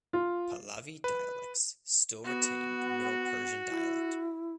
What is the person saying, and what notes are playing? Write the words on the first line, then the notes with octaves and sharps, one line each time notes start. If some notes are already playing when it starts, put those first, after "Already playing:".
Pahlavi dialects still retain the Middle Persian dialect.
F4
B4
B3 F#4
E4